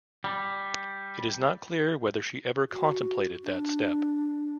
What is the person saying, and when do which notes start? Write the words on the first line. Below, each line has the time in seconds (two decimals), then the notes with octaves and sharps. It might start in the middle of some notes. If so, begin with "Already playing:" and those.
It is not clear whether she ever contemplated that step.
0.24 G3
2.70 F#4
3.44 D4